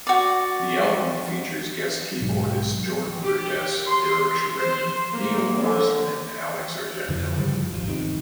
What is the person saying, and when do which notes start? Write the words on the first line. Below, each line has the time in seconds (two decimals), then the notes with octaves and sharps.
The album features guest keyboardists Jordan Rudess, Derek Sherinian, Neal Morse, and Alex Argento.
0.07 F#4 D5
2.21 B1 G#2
3.25 G4
3.85 C6
4.58 C5
5.13 A#3
5.61 D3
7.09 F2 D3 E3 F3
7.37 G2 C#3 F3 G3
7.71 D#1 G#1 F3
7.88 G1 E2 C3 D#3